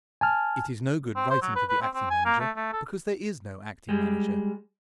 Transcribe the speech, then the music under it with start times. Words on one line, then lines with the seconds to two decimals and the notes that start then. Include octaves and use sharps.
It is no good writing to the acting manager, because there is no acting manager.
0.21 G#5 A5 F6
1.16 C4
1.30 C5
1.42 F#3
1.56 B4
1.69 B4
1.81 C4
1.94 C4
2.10 G#5
2.25 A#3
2.40 A3
2.56 A3
2.73 A4
3.89 G3 G#3